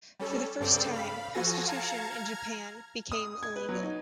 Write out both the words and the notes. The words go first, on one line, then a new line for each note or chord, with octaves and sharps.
For the first time, prostitution in Japan became illegal.
G3 C#4 A4
G2 C#3 C4 A4 D5 G5
F5 B5
F3 F#4 A4 G#5 A#6
F5 A5 A#5 G#6 C#7
A#5 F6 G#6
D#6
G#6
B4
F#3
D#4